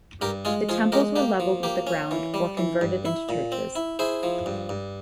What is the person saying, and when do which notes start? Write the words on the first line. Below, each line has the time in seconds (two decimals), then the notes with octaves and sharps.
The temples were leveled with the ground or converted into churches.
0.22 G2 G4 A#4
0.45 G#3 F4 G#4
0.69 F3 F4 G#4
0.92 G#3 G4 A#4
1.16 A#3 G4
1.40 F3
1.63 A#3 G4
1.87 C#4
2.11 E3
2.34 G3
2.57 E3
2.81 G2
3.05 E4
3.29 A#2
3.52 C4
3.75 E4
3.99 E4 G#4 C5
4.23 F3
4.46 G2
4.69 G2